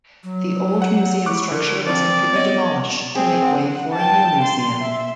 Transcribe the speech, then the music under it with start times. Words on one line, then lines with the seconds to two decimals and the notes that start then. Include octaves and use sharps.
The old museum structure was completely demolished to make way for a new museum.
0.23 F#3
0.82 F#5
1.26 E4 C#6 D6 F#6
1.52 D3 A#4
1.86 F3 C4 D5
2.33 B3 C#5 D#5
3.15 C4 G#4
3.45 F#5
3.94 G5 A5
4.42 C6
4.81 E5